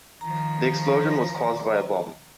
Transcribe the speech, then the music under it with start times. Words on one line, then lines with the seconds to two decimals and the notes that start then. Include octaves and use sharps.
The explosion was caused by a bomb.
0.21 D#3 F3 A#5